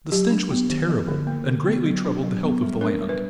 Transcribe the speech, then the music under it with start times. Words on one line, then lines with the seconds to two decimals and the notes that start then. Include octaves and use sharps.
The stench was terrible and greatly troubled the health of the land.
0.12 F#3 G4
0.30 D4
0.51 B3
0.70 D#3
0.89 F3
1.07 D3
1.27 A#3
1.47 D3
1.66 B3
1.86 F#3
2.05 D4
2.23 F#3
2.43 B3
2.62 G3
2.81 D4 A#4
3.01 G3
3.09 B4